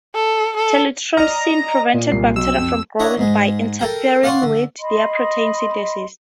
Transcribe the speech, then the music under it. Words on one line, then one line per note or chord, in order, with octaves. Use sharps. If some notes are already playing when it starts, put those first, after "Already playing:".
Telithromycin prevents bacteria from growing, by interfering with their protein synthesis.
A4
A4
D5 D#5 A#5 F6
A#2
C2 C7
B1 E6
F2
D4 E4 C#5 D#5 E5 F#5
G#2 G#3
A4 A#4 G5
D5 F5 F#5 A5 C6 C#6
D3
D#5 B5 C6